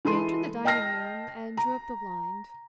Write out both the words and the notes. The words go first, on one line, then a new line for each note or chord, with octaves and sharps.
She entered the dining-room and drew up the blind.
E3 G#3 A4 C6 D#7
D#5 G5 A5 F6 A#6 C7
A#5